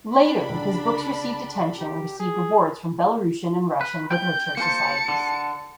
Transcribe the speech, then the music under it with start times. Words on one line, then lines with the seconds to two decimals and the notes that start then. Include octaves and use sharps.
Later his books received attention and received awards from Belarusian and Russian literature societies.
0.11 D4 B5
0.49 C#2 D3
1.78 G4
2.19 G#4
3.81 B4
4.11 G5 G6
4.57 A#3 C5 A5 C#7
5.08 D3